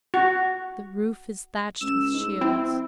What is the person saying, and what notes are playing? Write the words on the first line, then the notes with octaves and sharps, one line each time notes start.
The roof is thatched with shields.
F#4
C#2 E6 E7
G#2
F2 C4 E4